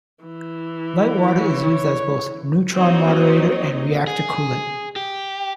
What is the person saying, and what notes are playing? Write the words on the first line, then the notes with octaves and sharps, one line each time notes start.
Light water is used as both neutron-moderator and reactor coolant.
E3
C#5
A#3 C4 D#4 F#4 C#5 D#5
G#4
G4